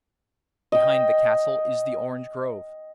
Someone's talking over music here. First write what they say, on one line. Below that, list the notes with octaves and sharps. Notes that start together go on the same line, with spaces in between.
Behind the castle is the orange grove.
D#5 G5